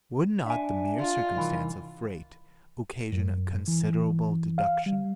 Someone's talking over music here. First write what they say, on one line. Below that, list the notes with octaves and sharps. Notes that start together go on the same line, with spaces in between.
Would not the mere circumstance of freight occasion a considerable deduction?
D4 E5 G#5
F4
C2 D#3 E3
F#2
E3
F5
G3